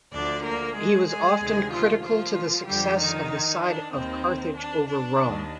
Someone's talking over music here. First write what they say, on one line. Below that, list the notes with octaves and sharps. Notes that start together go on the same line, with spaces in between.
He was often critical to the success of the side of Carthage over Rome.
D2 D3 F3 D4 D5
A#3 A#4
G#3 G#4
G#3 G#4
D2 C3 D#3
F3 F4
F3 F4
F2 D3 F3 G3 G4
D#3 D#4
D4
D#2 D#3 C4
D4
D4
D#2 D#3